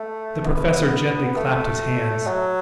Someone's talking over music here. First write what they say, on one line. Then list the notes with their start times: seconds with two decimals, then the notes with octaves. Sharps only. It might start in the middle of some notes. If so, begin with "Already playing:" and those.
The Professor gently clapped his hands.
Already playing: A3
0.46 B3
1.36 A3
2.27 F#3